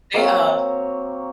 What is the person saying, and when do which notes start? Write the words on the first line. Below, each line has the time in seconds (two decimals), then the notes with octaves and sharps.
They are.
0.14 F#3 A#3 C4 C#5